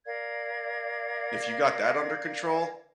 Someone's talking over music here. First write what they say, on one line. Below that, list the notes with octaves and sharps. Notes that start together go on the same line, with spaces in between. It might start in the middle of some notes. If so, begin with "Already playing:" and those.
if you got that under control
A#4 D5 F5 G#6